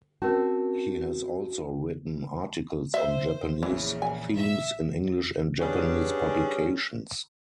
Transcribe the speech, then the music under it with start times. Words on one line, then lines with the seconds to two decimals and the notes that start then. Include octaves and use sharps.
He has also written articles on Japanese themes in English and Japanese publications.
0.22 C4 C#4 F#4 A#4 A5
2.94 C5 E5
3.63 A#1 E2 C#3 E3
4.02 G#5
4.36 E5
5.61 G3 B3 C#4 D4 G#4